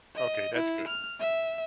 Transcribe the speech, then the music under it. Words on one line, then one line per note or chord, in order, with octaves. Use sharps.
Okay. That's good.
D#5
E4
F6
E5